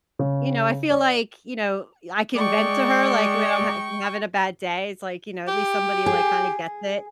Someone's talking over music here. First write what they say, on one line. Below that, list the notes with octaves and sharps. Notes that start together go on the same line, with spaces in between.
you know, I feel like, you know, I can vent to her, like, when I'm hav I'm having a bad day. It's like, you know, at least somebody, like, kinda gets it.
C#3
D5
G#3 D5 G5 C#6
G4
G#4